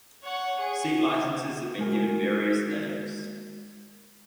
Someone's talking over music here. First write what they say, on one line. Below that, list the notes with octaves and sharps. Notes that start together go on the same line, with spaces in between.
Seat licenses have been given various names.
C#5 F#5
G#4
G#3 F#4 A#4 G#5